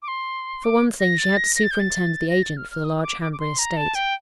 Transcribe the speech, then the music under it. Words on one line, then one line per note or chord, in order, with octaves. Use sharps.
For one thing, she had to superintend the agent for the large Hanbury estate.
D6
C6
D6
A#6
A6
A#6
A#6
A6
G6
A6
A#6
A6
F6
F6
D#6
D#6
D6
D6
D6
C6
A#5
A5
G5